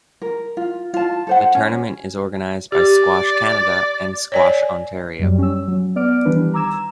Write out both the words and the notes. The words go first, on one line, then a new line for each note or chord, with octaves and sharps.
The tournament is organized by Squash Canada and Squash Ontario.
A#4
F4
F4 A5
A4 C5 F#5
C#4
G4 D5
C#5 D5 G#5
F#2 F#3 G3
C#4 E6
F#3
B3 D5 D6 F6 D7
D#3 E3 G3 D4 B4
A#5 D6 E6 G#6 E7